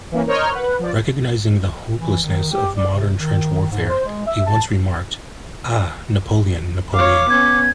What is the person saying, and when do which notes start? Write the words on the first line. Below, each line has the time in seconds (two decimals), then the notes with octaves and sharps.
Recognizing the hopelessness of modern trench warfare, he once remarked: Ah, Napoleon, Napoleon.
0.12 E3 A#3 C#4
0.27 A#4 C5 C#5 D#5 F6 G6
0.51 B4 F#5
0.79 F3 D5
1.98 E3
2.24 D#3
2.52 G4
2.77 D5
2.93 C3
3.17 D#3
3.69 G#2
3.90 C5
4.06 G#3
4.27 E5
4.47 A5
6.94 C#5 F5 D6
7.30 B3 C#4 G#6